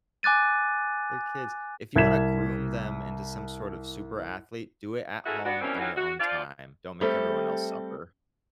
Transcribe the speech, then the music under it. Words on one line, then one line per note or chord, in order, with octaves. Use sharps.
They're kids. If you wanna groom them into some sort of super athlete, do it at home on your own time. Don't make everyone else suffer.
G#5 D6 F#6 A6 D#7
C2 G#6 B6 E7
A#3 C#4 E4 F#4 G#4 A4
B3 D4 F#4
B2 E3 G3 A#3 C4 C#4
D#3 E3 C#4 F4 F#4
F#4
F3 F4 D5
G3 A3 C4 G4 A4